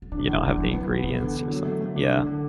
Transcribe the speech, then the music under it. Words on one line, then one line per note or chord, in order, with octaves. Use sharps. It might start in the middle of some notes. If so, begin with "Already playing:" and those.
You don't have the ingredients or something. Yeah.
D3
E3 D4
D3
E2
D3
E3 D4
E3 F#3
B3
F#3
E2
E3 B3
D3
D3
F#3
A3
A3
D4
D3
F#3
D3